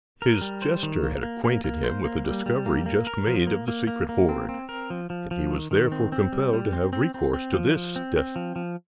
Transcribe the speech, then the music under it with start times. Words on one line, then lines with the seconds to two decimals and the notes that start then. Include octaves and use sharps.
His jester had acquainted him with the discovery just made of the secret hoard, and he was therefore compelled to have recourse to this desperate move.
0.22 A#4
0.41 G3
0.62 C5
0.83 D#3
1.03 A#3
1.23 A#3
1.44 A#3
1.64 A#3
1.84 C5
2.05 A#3
2.24 G3
2.46 G3
2.66 A#3
2.86 A#3
3.07 A#4
3.27 F3
3.47 A#3
3.68 A#3
3.87 A#3
4.09 A#3
4.29 C4
4.49 C4
4.69 A#4
4.90 F3
5.10 F3
5.31 F3
5.51 D#3
5.71 D#3
5.92 C4
6.12 C4
6.33 G3
6.53 G3
6.73 C4
6.93 C4
7.14 C4
7.34 C4
7.54 F3
7.75 F3
7.96 C4
8.16 C4
8.36 F3
8.56 F3